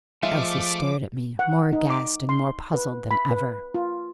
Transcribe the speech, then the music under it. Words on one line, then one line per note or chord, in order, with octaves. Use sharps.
Elsie stared at me, more aghast and more puzzled than ever.
F3 G#3 A3 E5 F5 D6
F#5
D#4
D6
C6
B4
B5
B4
F4